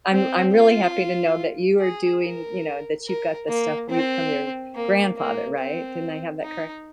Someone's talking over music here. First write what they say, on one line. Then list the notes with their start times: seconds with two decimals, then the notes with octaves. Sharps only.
I'm I'm really happy to know that you are doing, you know that you've got the stuff you from your grandfather, right, didn't I have that correct?
0.12 C4
0.53 F4
1.79 G#4
2.23 A#4
3.07 A#4
3.49 A#3
3.90 C4
4.75 A#3
5.17 A#3
5.58 C4
6.42 D#4